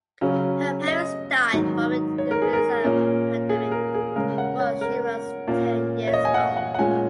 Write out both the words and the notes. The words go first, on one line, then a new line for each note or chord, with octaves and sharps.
Her parents died from an influenza pandemic was she was ten years old.
C#3 F#3 C#4
D#5
G#2 D#3 F#3
C#5
A#4
G#4
A#4
A#2 A#3 C#4
G#4
A#4
G#4
C#3 G#3 C#4 A#4
F#5
C#5
A#4
A#2 A#3 C#4
C#5
D#5
G#5
F#5
F#5
F#5
A#2 G#3 C#4 G#5